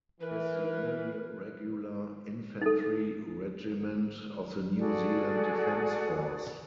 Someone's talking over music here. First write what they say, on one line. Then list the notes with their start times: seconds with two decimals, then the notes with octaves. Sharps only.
It is the only regular infantry regiment of the New Zealand Defence Force.
0.20 E3 A#4 B4
2.62 D#4 A4
4.78 F#4 G#4 A4 D5